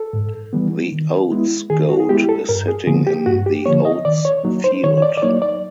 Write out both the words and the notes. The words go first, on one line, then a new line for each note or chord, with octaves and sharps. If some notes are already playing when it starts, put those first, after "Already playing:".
The Oats Goat is sitting in the oats field.
Already playing: A4
G#2
E3 G3 B3
D#3
G#3 B3 E4
D#3 G#4
F#4
G#4
G#3 B3 E4 G4
A4
G2 A#4
G#4
D3 F3 A#3 G#4
G4
G2 F#4
G4
D3 F3 A#3 C#5
D#5
D#3 D5
C#5
F#3 A#3 D#4
C5
D#3 C#5
C#5
D5
D5
F#3 A#3 D#4 C#5
D5